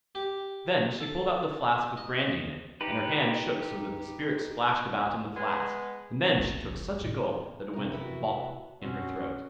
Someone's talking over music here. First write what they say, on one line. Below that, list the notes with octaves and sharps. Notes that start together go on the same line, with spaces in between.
Then she pulled out the flask with brandy in it, and her hand shook so that the spirit splashed about in the flask, and then she took such a gulp, that it went 'bop' in her throat.
G4
A4
D#5
D#4 G4 B4
G#3 B3
C#3 A3
E3 F3
A1
F2 E3
A2
C3 A#4
B3 E4 F#4
B2 C4 C#4 F#4